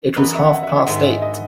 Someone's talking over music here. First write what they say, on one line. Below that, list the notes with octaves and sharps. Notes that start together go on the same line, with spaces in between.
It was half-past eight.
F#2 E3 B3 D#4 B4
E5
F#5
E5
G#2 D#3 G#3 F#5
E5
D#5